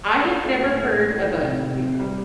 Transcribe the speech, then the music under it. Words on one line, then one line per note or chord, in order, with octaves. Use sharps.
I had never heard of a big
D4
A3
A2
A2
A3
D#3
C3
C4
C4
G3